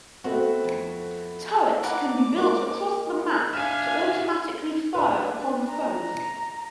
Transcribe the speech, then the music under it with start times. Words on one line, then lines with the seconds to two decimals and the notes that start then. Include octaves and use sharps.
Turrets can be built across the map to automatically fire upon foes.
0.24 A3 B3 C4 F#4
0.64 F2
1.84 A#4 B4 F#5 D6
2.36 G#3 A#3
3.54 D4 E5 F5 G#5 F6 B6 D#7
4.94 D4 B4
5.68 A#5